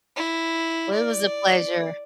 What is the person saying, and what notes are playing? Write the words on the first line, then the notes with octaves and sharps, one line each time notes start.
Oh, it was a pleasure.
E4
D5